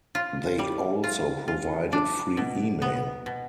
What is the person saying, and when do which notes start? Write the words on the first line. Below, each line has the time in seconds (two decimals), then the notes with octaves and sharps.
They also provided free email.
0.15 F4
0.59 G3
1.04 F4
1.48 F4
1.93 D4
2.37 B2
2.82 B3
3.26 B2